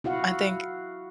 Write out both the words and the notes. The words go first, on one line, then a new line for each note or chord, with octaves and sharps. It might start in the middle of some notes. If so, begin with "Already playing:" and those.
I think
E4 F#4 F5 F#5